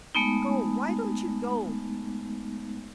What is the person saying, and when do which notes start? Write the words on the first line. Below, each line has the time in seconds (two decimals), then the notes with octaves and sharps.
Go--why don't you go?
0.15 G#3 A3 B3 D#4